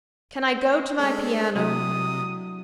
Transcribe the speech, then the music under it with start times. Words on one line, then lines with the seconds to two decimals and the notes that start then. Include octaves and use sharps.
Can I go to my piano?
0.99 G#3 C4 D4 A4
1.55 C3 F#3 D4 E4 D#6